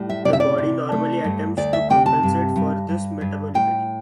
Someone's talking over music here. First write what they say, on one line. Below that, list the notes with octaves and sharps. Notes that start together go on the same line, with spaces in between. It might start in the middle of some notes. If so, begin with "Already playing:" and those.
The body normally attempts to compensate for this metabolically.
Already playing: A2 G3
E5
C3 D5
E5
D5
C3
A3
G2
D2 D5
E5
C3 G5
A5
G2
G2
G2
G2
A2 G5